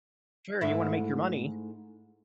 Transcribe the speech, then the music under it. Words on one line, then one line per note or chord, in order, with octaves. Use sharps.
Sure, you wanna make your money.
G#2 A3 E4